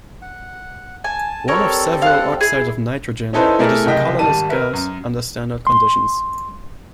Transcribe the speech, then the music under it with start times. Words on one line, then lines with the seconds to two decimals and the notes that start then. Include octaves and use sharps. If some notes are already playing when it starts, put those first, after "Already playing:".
One of several oxides of nitrogen, it is a colorless gas under standard conditions.
0.22 F#5
1.04 G#5 A5
1.48 G3 C4 A4 A#4 C#5
2.02 F5 F#5
2.41 E4 G#4
3.33 C#4 D#4 E4 A4 B4 C5
3.59 A3 E4 G#4 A#4 D5
3.86 F#1 C2 D#5 G5 B6
4.19 G#1 G3 D5 A5 D#7
4.49 A#4 B4 E5
4.73 F#2
5.67 C6